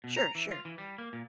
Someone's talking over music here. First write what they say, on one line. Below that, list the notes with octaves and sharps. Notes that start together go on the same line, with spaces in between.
Sure sure.
B2
A#5
E3
F4
E3
G3
A#3
A#2